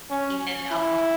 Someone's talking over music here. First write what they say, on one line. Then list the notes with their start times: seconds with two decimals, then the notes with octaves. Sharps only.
even in among
0.11 C#4
0.72 E4